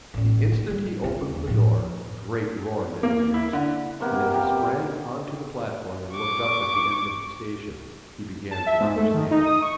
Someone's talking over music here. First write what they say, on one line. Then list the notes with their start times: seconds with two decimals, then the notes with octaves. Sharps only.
The instant he opened the door a great roar met his ears, and as he sprang on to the platform and looked up at the end of the station, he began to understand.
0.14 A1 C#4
0.52 A3 E4
0.71 G3
1.04 F4
1.29 D#2
1.47 A2 F3
3.03 A#3
3.34 E4
3.53 D3
4.00 C3 A#3 B3
4.30 G4 F5
6.14 C#6 D6
8.51 A5
8.66 E5
8.80 G#2
8.96 A3
9.14 D#3
9.31 D#4
9.45 D#6
9.62 C#6